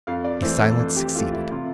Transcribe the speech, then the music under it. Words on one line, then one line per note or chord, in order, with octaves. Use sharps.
A silence succeeded.
F2 F5
D5
E3 A3 C5
A4
F2
G4
E3 A3 F4
E4
C3 F4